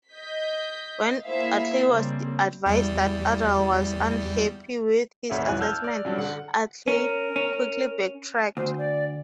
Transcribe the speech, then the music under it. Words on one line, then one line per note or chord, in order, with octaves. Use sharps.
When Utley was advised that Udall was unhappy with his assessment, Utley quickly backtracked.
D#5 G6 B6
A#3 E4 G#4 C5 E5 F5
C#3 G3 A#3 C4
E2 G3
G#1 D2 C#4 E5
E1 B1 E3 G3 G#5 F#6
A5 E6 F6 G6 G#6
D5
G2 F#3 D4 G4
D3 F#5
C#4 A#4
C#4
D2 C5
D5